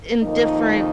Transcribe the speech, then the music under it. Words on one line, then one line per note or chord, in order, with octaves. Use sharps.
in different
F2 D#3 A#3 D#4